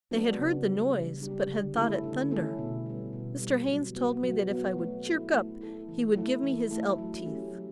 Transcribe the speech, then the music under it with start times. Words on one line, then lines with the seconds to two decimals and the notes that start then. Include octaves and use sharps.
They had heard the noise, but had thought it thunder. Mr. Haynes told me that if I would "chirk up" he would give me his elk teeth.
0.11 F#3 B3 D4 F#4
0.39 C#3
0.66 G3 D4 G4
0.94 C#3
1.21 G3 D4 G4
1.49 D3
1.76 A3 C#4 E4 A4
2.04 D3
2.31 A3 C#4 E4 A4
2.59 B2
2.86 G3 B3
3.13 B2
3.41 G3 B3
3.68 F#3
3.96 B3 F#4
4.23 F#3
4.51 B3 F#4
4.78 A3
5.05 E4 A4
5.33 A3
5.61 E4 A4
5.89 E3
6.16 A3 E4 A4
6.43 E3
6.71 A3 E4 A4
6.98 F#3
7.26 A3 C#4 G4
7.53 F#3